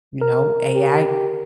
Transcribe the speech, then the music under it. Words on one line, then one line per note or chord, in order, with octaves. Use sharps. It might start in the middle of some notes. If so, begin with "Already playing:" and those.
you know, AI
A#4
G4